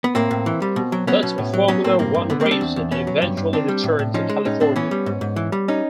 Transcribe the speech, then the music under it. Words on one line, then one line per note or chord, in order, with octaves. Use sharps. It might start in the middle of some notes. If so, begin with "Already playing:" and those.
But a Formula One race would eventually return to California.
B3
A2 A#3 C4
A2
E3
G3
B2
F#3
F#3 B3 C#4
B2
A2
F#3
F#3 B3 C#4
A2 A#3 C4
G2 A#3 C4
G2
D3 B3
A#3 C4
G3
C4 D4
E2
E2
B2 B3 C#4
F#3
G2
G2
D#3 C4 D4
G3
A2
A2
F3 C#4 D#4
G#3
A2 C#4 D#4
A2 C4 D4
E3 B3 C#4
G3
G#2
G#2
E3
G3
C#4 D#4